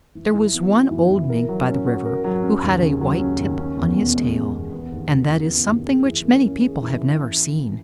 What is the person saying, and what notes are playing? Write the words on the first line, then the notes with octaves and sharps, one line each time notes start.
There was one old Mink by the river who had a white tip on his tail, and that is something which many people have never seen.
E3
E3
B3
F#4
E3
E3
A#4
F#3
C#4
F#4
A#4
F#3
C#4
D#2
C#3
F#3
C#4
D#2
C#4
E2
B2
G#3
C#4
E2
B3
D#2
C#3
E3
B3
D#2
G#4
E3
A#3
C#4
G#4
E3